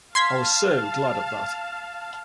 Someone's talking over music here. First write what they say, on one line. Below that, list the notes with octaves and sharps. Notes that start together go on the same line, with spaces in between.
I was so glad of that.
F5 A5 C6 G#6 B6